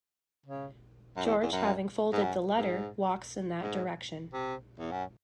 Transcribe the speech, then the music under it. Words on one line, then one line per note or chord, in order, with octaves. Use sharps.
George, having folded the letter, walks in that direction.
C#3
F#2
E2
E2
F#2
G#2
F#2
G#2
G#2
C3
E2
F#2